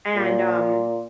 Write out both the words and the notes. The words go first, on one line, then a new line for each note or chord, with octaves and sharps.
and, um,
A#2